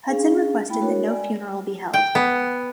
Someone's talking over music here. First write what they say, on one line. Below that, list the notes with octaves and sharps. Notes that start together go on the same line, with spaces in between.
Hudson requested that no funeral be held.
C#4 D4 G#4 F5
A3 A#3 E4 G5 B5
D4 F#4 A#4 C#5
D5 G#5
G5
B3